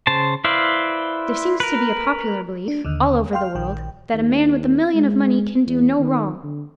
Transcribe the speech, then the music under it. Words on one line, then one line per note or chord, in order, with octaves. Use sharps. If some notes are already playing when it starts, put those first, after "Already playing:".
There seems to be a popular belief, all over the world, that a man with a million of money can do no wrong.
C#3 C5 A5
E4 B4 C5 D5 F5
A#4 B4
D4
D#2 D3
F5 G5 C6 F6
A#1 D#3 G5
D#2
G#3
E2
D#3
D3